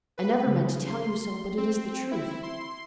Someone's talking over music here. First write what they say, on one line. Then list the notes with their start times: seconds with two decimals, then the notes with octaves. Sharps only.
I never meant to tell you so, but it is the truth.
0.18 B4
0.46 C#3
0.86 C6
1.57 C4
2.11 E4
2.43 C6